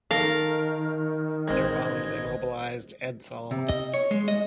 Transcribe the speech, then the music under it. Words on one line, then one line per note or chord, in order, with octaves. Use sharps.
Their bombs immobilised "Edsall".
D#3 A4 A#4 F5
A1 G#3 C4 D#5 G#6
C3
D#5
C#5
G#3
D#5